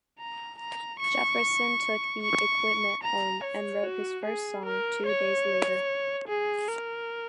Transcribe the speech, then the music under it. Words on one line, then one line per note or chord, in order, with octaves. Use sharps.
Jefferson took the equipment home and wrote his first song two days later.
A#5
A#5
C#6
C#6
A#5
C#5
F#4
G#4
A#4
C#5
G#4
A#4